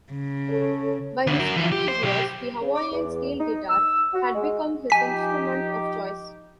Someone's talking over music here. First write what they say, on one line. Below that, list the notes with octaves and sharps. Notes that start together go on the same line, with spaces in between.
By his teenage years the Hawaiian steel guitar had become his instrument of choice.
C#3
A4 C#5
D2 D3
F#4 A#4
E3 F3
G4
C5
B1 G4
C#3
D6
E2
D#4
E6
F#4
G#3
F3 D#4 G4 G#5 B6